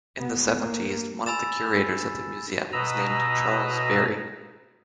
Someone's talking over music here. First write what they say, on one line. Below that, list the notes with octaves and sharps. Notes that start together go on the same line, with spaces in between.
In the Seventies, one of the curators at the museum was named Charles Berry.
B3
A#3
G#5 B5 E6 A6 E7
B2 B4 D#5 A#5 E6